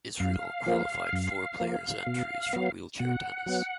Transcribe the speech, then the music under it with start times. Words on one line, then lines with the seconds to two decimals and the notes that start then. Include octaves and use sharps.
Israel qualified four players entries for wheelchair tennis.
0.20 F#2 F5
0.67 F3 A#3
1.13 F#2
1.60 F3 A#3
2.07 B2
2.53 F#3 B3
2.99 B2 F#5
3.46 F#3 B3